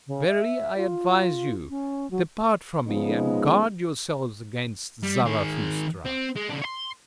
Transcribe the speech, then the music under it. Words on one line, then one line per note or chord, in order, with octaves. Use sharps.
Verily, I advise you: depart from me, and guard yourselves against Zarathustra!
C#3
E5
F4
C#4
F#3
C#3 F3 G#3 B3 D#4
G3
D#3 G#4
C4
G#3
C#3 D4
C#5 C6